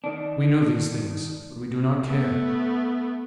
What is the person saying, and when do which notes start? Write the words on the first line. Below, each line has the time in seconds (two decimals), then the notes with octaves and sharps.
We know these things, but we do not care.
0.04 D#3 D4
2.04 A3 B3